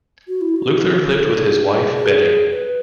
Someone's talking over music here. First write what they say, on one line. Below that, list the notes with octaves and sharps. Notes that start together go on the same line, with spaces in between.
Luther lived with his wife, Betty.
F#4
E4
F#4
A4
G#4
G#4
B4